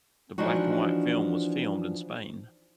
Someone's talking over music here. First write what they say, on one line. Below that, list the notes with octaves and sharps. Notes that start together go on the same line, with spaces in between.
The black-and-white film was filmed in Spain.
E3 F3 D4 D#4 F#4